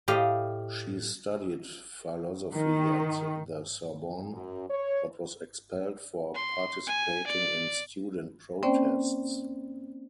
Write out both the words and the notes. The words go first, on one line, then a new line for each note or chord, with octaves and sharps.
She studied philosophy at the Sorbonne, but was expelled for participating in student protests.
A2 G4 D#5 F5
D#3
F#2
C#5
C6
G#5
D5
A#3 C4 C#4 C5 D5 G5